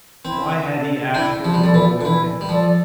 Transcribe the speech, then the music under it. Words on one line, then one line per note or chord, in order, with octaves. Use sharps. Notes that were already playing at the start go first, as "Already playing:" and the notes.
Why had he asked her to go with him?
C4 E4
A4 D5
D4 E4
F3
G3
F3 A4 D5
E3
D3
E3 E4
G3
F3 A4 D5